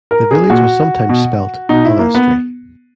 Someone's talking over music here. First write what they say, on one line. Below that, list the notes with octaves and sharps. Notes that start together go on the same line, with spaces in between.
The village was sometimes spelt 'Alestry'.
A#4
G#4
A#2 F#4
B2
B2 D#4
E4
A#3
B3